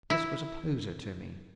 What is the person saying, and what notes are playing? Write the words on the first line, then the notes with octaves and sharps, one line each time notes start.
This was a poser to me.
E4